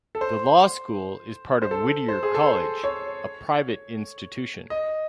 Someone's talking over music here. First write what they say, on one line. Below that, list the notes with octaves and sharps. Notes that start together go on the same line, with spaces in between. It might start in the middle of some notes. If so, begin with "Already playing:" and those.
The law school is part of Whittier College, a private institution.
A4
C5
C5
A4
C5
G#4
A4
C5
C#5
D#5